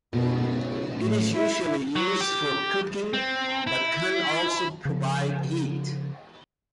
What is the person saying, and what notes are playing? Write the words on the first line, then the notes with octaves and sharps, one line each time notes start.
It is usually used for cooking but can also provide heat.
B2
C#3
A2
E4
F#3
G4
C4
E4
C#3 F3